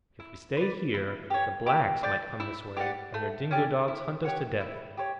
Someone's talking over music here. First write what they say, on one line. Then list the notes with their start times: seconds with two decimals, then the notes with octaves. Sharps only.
If we stay here, the Blacks might come this way and their dingo dogs hunt us to death.
0.20 E4
0.57 B4 D5
0.94 E4
1.30 G4 C#5
1.66 G4
2.03 D5 G5
2.40 E4
2.77 G4 D5 F#5
3.14 A3
3.51 C#4 G4 D5
3.88 E4
4.25 G4 C#5 F#5
4.61 E4
4.97 G4 C#5